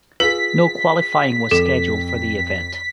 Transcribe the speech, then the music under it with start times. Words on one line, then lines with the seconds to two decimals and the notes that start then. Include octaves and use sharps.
No qualifying was scheduled for the event.
0.20 F4 G#4 B4 B6
1.51 F2 A4